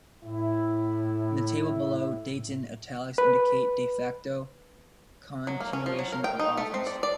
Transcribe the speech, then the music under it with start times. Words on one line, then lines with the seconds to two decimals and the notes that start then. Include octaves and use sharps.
In the table below, dates in italics indicate "de facto "continuation of office.
0.24 A2 E4
3.18 B4
5.47 F#3
5.60 A#3
5.73 C#4
5.86 F3
5.99 F#3
6.12 A#4
6.24 G5
6.40 D#4
6.57 A3
6.74 C4
6.87 D5
7.03 D5